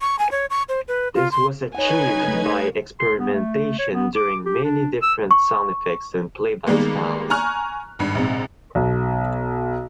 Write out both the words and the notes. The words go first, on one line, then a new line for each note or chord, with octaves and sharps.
This was achieved by experimentation using many different sound effects and playback styles.
C#6
G#5
C#5
C#6
C5
B4
F4
C6
D#4 B4 C#5 F#5 G#5 G#6
A3
C6
B3
A3
C#5
B3
D6
G4
D4
E6
C#6
D#3 G3 G#3 A#3 B3
G#5 A#5 C#6 F6 F#6
G#1 G2
A#1 G#2 C3
B1